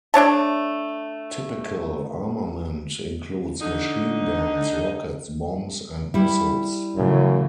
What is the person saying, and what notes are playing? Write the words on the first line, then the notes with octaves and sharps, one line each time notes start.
Typical armament includes machine guns, rockets, bombs and missiles.
A3 D4 C#5 A5
D3 D#4
G3 E4
F#2 C#3 E3 A3